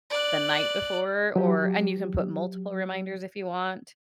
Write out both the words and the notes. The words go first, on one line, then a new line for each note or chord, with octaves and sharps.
the night before, or and you can put multiple reminders if you want.
D5 F#6
F#3 G4